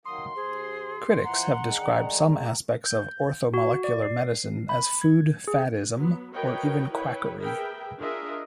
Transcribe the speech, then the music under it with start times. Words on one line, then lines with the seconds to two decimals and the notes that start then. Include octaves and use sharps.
Critics have described some aspects of orthomolecular medicine as food faddism or even quackery.
0.05 D#3 F#3 A#3 C6 D#6
0.36 D#2 G#4 C5
1.24 E3 F3 F#5 A#5
1.64 D3 D#3 G#3
2.86 G6
3.54 F#4
3.84 D5
4.02 C7
4.69 B5
5.02 G#6
5.47 G#4
5.94 F#3 B3
6.34 F#4 A#4 B4 C#5 D#5 G5
6.91 E4 B4 C#5 G5
7.39 G#4 A#4 B4 E5 G5
8.00 D4 F4 G#4 A#4 D#5 E5